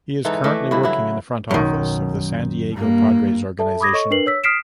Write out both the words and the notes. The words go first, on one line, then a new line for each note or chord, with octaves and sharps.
He is currently working in the front office of the San Diego Padres Organization.
G#2 E3 D#4 A4
E3 A3 D5 D#5
G2 C#3 E3 E4
F#3 E4
B1 F#2 D#3
G2 A#3
A4 E5 A5
B5 D6 D#6 G#6 A#6
A4 C#5 D#5 C#6
D4 A#4 B4 C7 F#7
C#5 E6 B6
D#6 F6 B6 C7 D7 E7